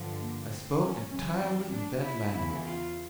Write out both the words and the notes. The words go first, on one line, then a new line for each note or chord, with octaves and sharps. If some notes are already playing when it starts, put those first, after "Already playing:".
I spoke entirely in that language.
Already playing: G2 D3 F3
A#3
C4
C#4
F#2 C#3 E3 C#4
C4
D4
E4
E2 C#3 E3 E4
F4